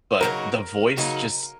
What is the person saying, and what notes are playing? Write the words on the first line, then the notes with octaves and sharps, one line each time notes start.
but the voice just
C#3 F#3 A#3 D#4 F#4 A#4
C#3 F#3 A#3 D#4 F#4